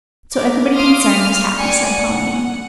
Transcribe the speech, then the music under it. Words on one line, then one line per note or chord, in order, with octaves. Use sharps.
"So everybody concerned is happy," said Pauline.
A#4 D6
F5 C6 D6 D#6 F6
F6
D5 G5 G#5 C#7
F#5